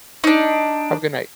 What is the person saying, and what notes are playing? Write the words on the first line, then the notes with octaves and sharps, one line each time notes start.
Have a good night.
D4 D#4